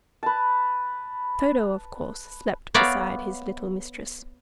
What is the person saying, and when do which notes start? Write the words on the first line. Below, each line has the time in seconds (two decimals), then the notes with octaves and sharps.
Toto, of course, slept beside his little mistress.
0.23 B4 A5
2.74 B3 C#5 D5 E5 F5 A#5